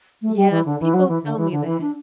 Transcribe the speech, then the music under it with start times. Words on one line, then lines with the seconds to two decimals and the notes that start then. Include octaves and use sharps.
Yes, people tell me that.
0.22 A3
0.37 G3
0.51 E3
0.66 D3
0.80 E3
0.94 F#3
1.08 E3
1.24 D3
1.37 E3
1.51 D3
1.66 E3
1.81 D4